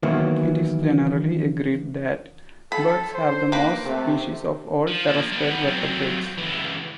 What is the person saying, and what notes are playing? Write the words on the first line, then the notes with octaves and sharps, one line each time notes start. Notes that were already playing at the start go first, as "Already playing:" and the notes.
It is generally agreed that birds have the most species of all terrestrial vertebrates.
D#3 E3 F#3 A#3 B3 E4
A4 B5
C5
A#3 B4
C3 A3
F3
F3 A#3
G3 B3
F#3 C4
C#2 E3